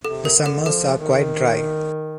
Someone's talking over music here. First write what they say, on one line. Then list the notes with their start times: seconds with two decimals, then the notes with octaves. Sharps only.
The summers are quite dry.
0.04 C3 A4
0.25 A#4
0.35 D3
0.46 A4
0.66 F3 A4
0.98 D#3